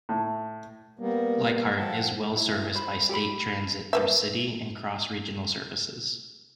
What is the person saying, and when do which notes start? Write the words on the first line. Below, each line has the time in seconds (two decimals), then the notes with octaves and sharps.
Leichhardt is well serviced by State Transit through city and cross regional services.
0.09 A2
0.99 G3 A#3 B3
1.77 F3 F#5 G5 A5
2.36 E4
2.75 C5 B5
3.09 G4 A4 G5 B5
3.93 A#3 B4 E5